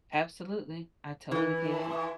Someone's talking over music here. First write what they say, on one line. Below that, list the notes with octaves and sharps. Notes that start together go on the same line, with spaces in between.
Absolutely. I totally get it.
E3